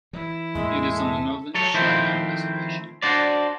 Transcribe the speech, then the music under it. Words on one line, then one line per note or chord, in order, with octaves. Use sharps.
It is on the Northern Cheyenne reservation.
E3 E4
E2 A2 G#3 A#3 E5
A4
F#3 A4 C#5
D#3 F3 A3 C4 E4 C5
D4 F#4 C5 D5